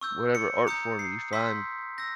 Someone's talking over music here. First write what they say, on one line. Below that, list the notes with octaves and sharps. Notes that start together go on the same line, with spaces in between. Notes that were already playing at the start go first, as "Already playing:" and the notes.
whatever art form you find
C#6 E6 G6
C#7
A#5 D#6 G6 C#7
C7
C6 E6 G6 B6
E6 G6 A#6